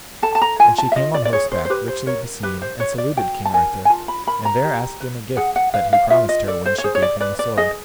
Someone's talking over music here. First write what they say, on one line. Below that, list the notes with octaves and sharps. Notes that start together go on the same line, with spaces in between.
And she came on horseback, richly beseen, and saluted King Arthur, and there asked him a gift that he promised her when she gave him the sword.
A4 A5
A5
A#5
F4 G#5
A5
E5
F4 D#5
D5
D5
G#4 C#5
C5
C5
G4 B4
C5
A#4 C#5
G4 B4
C5
B4 C#5
D5
F#4 G5
A5
A#4 G#5
G#5
F4 A5
B5
A#4 B5
A#5
G4
B4
G#4 F#5
F#5
B4 F5
F5
F4 E5
D#5
A4 D5
C5
C#5
G#4 C5
C#5
D5
B4 D5
D5
G#4 D#5